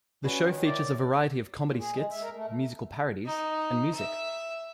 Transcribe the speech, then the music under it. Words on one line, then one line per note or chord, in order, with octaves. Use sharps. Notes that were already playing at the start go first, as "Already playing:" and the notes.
The show features a variety of comedy skits, musical parodies, and music.
C#4 F#4 G#4 B4 D5 B5
D#3 C#5
E4 G4 A#4 D5
A#2
G#4
G#3
E5
A#4
A3
D#4
E5